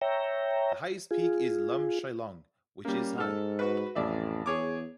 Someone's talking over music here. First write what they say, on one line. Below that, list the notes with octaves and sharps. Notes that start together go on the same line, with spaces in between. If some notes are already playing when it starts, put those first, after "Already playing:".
The highest peak is Lum Shyllong which is high.
C#5 E5 G5 A#5
F4 G#4
G3 A#3 C#4
G#2 A4 F6
F#4 B4
A1 F2 D5 E5
E2 G#4 C#5 D6